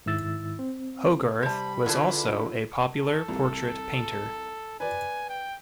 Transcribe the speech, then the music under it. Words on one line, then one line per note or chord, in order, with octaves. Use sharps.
Hogarth was also a popular portrait painter.
G#2 D#3 E4 E6 A6
C4
C3 G3 C5 A5 B5
D3 E4 F4 G#4 A4 B4
A4
C2
B4 D5 G#5
G5